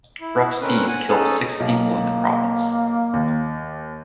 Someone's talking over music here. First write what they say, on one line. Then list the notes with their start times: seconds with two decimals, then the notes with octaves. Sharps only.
Rough seas killed six people in the province.
0.21 E4
0.61 D3 C4 C#4 A#4 B4
0.88 F#5 G#5
1.09 C#4 D#4 G#4 A4
1.60 B1 A#3
3.13 D#2